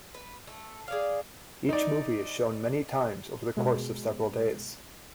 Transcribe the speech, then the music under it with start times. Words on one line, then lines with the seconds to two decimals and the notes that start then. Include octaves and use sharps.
Each movie is shown many times over the course of several days.
0.14 B4
0.47 A3
0.88 G#4 D5 F5
1.69 D#4 D5
3.57 B2 G#3